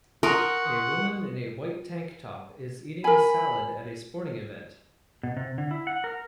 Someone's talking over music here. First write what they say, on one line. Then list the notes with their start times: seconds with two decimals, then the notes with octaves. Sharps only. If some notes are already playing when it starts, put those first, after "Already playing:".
A woman in a white tank top is eating a salad at a sporting event.
0.23 A#4 F#5 C6 C#6 D#6
3.04 A#4 G#5 B5
5.23 B2
5.37 C3
5.58 D3
5.71 E4
5.87 F#5
6.04 A#4